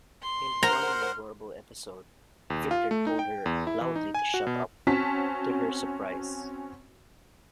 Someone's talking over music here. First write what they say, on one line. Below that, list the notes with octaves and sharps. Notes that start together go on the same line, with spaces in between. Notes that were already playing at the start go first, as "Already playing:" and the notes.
In one memorable episode Victor told her loudly to shut up, to her surprise.
C6
A#4 C5 F#5 A#5 F6
D#2
F4
A3
D#4
G5
E2
E4
E3
D#4
G#5
F#4
B2
C4 C#4 F#4 A5 B6